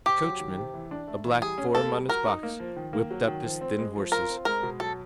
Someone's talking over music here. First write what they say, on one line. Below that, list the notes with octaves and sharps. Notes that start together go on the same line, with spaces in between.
The coachman, a black form on his box, whipped up his thin horses.
C3 G4
F#3
D#3
C3
E3
D4
A3
E3
G3 G#4
C#4
A#3 A4
G3
F#4 A#4
D#4
A#3
F3
D#3
A#3
F#3
D#3
F3
C4
G#3
F3
F4 A#4
C4
G#3 A#4
B2
F#3 A4